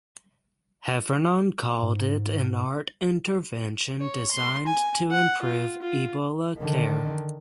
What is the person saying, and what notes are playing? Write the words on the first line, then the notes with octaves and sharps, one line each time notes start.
Heffernan called it "an art intervention designed to improve Ebola care".
G#2
C#5
C6
G#5
F#5
F4
F4
D3 D#3